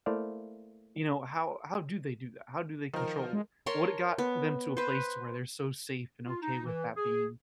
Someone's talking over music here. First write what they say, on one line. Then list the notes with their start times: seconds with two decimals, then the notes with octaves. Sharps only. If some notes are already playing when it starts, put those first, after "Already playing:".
you know, how how do they do that? How do they control What it got them to a place to where they're so safe and okay with that being?
0.06 A3 A#3 E4 C5 D5 F5
2.94 D#3 F3 A#4
3.33 G#3
3.66 A#4 C#5 A5 C6
4.18 B3
4.77 B4 C5
6.26 F4
6.42 D#4
6.65 E3
6.96 G#4